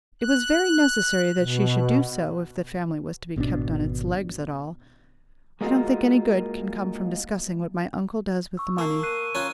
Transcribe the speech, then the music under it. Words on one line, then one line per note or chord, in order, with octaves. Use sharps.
It was very necessary that she should do so, if the family was to be kept on its legs at all. "I don't think any good can come from discussing what my uncle does with the money."
F#6
B2
G#1 B2 D3 D4
G#3 A#3 D#4 F4 F#4
C#6 E6
A#3 A5 C7
F#6 C7 D#7
C#4 F4 A#5 F#6 D#7